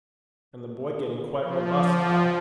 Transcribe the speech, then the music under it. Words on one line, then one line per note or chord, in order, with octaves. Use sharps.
And the boy getting quite robust now!
F3